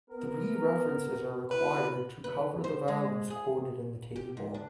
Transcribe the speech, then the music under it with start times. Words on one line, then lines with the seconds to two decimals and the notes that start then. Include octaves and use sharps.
Three references are required to cover the values quoted in the table.
0.10 B3 A#4
1.51 B2 E4 A#4 B4
2.24 B4
2.64 C5
2.88 G#3
3.30 G#4
4.16 G4
4.37 G#2
4.54 D4